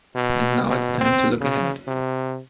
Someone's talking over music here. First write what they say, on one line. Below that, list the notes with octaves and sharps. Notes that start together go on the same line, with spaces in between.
And now it's time to look ahead.
B2
B2
C4
C#3
C3